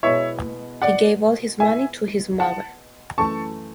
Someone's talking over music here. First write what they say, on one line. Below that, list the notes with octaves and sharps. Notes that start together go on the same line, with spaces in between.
He gave all his money to his mother.
B2 G#3 B3 E4 C#5 E5
D5 F#5
E5 G#5
F#5 A5
F#2 E3 A3 A5 C#6